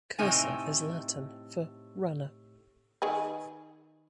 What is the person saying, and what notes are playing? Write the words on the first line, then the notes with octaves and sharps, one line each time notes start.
Cursor is Latin for 'runner.
A2 C3 C4 D#4 G#5
D#3 G#4 B4